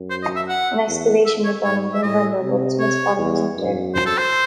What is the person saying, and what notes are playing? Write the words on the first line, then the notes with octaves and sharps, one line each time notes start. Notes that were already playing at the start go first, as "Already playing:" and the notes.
An excavation was done in November, but Smith's body was not there.
Already playing: F#2
C5
D#5
E5
F#5
E2
E5
C#5
G#2 C#5
E5
A2 D#5
C3
C#5
E2
F#2
C5
A4
C5